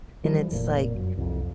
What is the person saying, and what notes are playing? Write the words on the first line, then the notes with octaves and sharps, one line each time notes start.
and it's like,
E3 F3 G3
F1 A#2
F#2
C2 F2